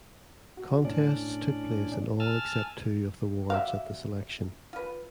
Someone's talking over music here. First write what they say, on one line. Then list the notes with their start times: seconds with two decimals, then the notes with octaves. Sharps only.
Contests took place in all except two of the wards at this election.
0.57 F#4
0.85 A2 C#4 D4 D5
2.20 G#5 A5 E6 F6 A6
3.50 F#4 D5 E5 F5
4.73 F4 B4